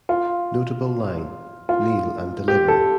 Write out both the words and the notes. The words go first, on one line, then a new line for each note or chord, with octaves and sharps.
Notable line: Kneel and deliver!
F4
F4
G4
A4